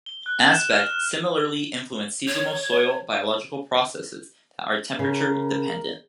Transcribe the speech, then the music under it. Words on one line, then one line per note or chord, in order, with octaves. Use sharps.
Aspect similarly influence seasonal soil biological processes that are temperature dependent.
G7
F#6
E7
F6
F6
C#5
C#3 A#4